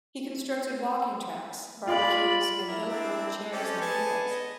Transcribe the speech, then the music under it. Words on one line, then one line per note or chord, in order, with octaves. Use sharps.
He constructed walking tracks, barbecues and built wooden chairs and tables.
F4 D5 B5
E4 A#4
C4 D4
C4 C#4 G4 A4
B3 G#4 G#5 A5
D#5